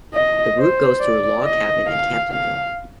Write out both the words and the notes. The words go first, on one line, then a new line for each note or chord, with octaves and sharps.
The route goes through Log Cabin and Camptonville.
D#5
C5
D5
D#5
F5
F5